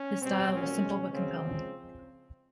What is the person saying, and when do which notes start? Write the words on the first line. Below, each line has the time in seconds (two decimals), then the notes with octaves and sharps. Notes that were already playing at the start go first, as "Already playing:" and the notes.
His style was simple but compelling.
Already playing: C#4
0.22 B2 G3 C4
0.52 A#2 F#3 C#4
0.82 B2 G#3
1.13 C#3 F#3 C4
1.42 C#3 F3 G#3